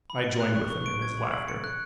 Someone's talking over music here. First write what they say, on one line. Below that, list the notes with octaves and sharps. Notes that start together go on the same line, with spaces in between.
I joined with him in his laughter.
B5
C#7
F#6
C#6
C#6
D7
G#6
B5
F#7
C#7
F#6